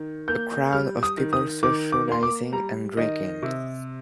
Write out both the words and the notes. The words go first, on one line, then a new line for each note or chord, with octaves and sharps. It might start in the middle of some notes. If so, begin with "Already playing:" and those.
A crowd of people socializing and drinking.
Already playing: D#3
A#3 G6
G3 F6
D#6
D#3
D#6
D#3 D6
D6
A#3 C6
D6
G3 A#5
D#3 D#5
C3